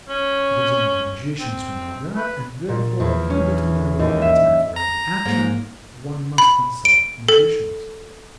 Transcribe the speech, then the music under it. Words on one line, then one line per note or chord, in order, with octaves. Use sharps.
It is only magicians who know that; and, therefore, in order to know the right time for every action, one must consult magicians.
C#4
C4
B4
A#2
E2
C#4
D#2
E5
A#5
G#2 A#3
B5
D7
A4